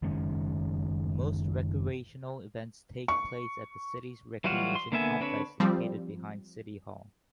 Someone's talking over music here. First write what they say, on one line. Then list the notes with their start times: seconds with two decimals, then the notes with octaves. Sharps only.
Most recreational events take place at the city's recreation complex located behind City Hall.
0.02 F#1 D#3 G#3 C#4
3.08 C#6
4.44 E3 F#3 G3 F4 F#4
4.76 C6
4.92 D3 A#3 B3 E5 G#5
5.20 D3 C4 D4 B4 C#5
5.60 F3 G3 C4